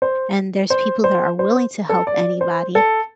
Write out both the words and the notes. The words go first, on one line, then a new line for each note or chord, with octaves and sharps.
and there's people that are willing to help anybody,
C5
C5
C5
C5
A4
D5
C5
A4